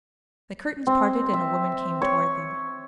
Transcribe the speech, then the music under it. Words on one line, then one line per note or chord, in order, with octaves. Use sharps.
The curtains parted and a woman came toward them.
C4
E5
C#5